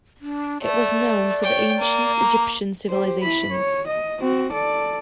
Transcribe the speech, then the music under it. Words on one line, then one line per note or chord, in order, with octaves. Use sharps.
It was known to the Ancient Egyptian civilizations.
D4
A3 D5
C#5 G5
A#3
A#5
G4 C5
E4 B5
C#5
D#5
C4 F#4
A4 D5